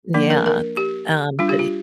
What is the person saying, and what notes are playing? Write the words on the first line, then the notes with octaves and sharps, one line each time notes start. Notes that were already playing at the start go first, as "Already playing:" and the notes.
Yeah, th um, but he
F3 A#3 D4
A#4
A#4
G4
G3 D4 F4
G4
F4